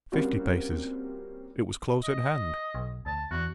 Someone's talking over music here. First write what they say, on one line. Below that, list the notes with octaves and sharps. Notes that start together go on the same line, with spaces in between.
Fifty paces--it was close at hand!
G3 A#3 C4 C#4 F4 F#4
D#5
B1
D2 A5
E2 F#4